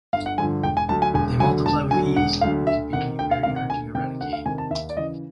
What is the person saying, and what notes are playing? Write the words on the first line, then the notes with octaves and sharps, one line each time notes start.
They multiply with ease and can be very hard to eradicate.
G1 F5
F#5
G2 D3 F3 G#5
E1 G5
G#5
D2 D3 F#3 A5
G#5
E1 G#5
D2 D3 F#3 G#5
E1 A5
D2 D3 F#3 G#5
E1 F#5
D2 D3 F#3 F5
D2 E5
C3 D#3 F#5
D2 G5
F5
C3 D#3 F5
F#5
D2 G#5
C3 D#3 G5
D2 F#5
F5
C3 D#3 G#5
A5
D#2 E5
D5
C#3 E3 D#5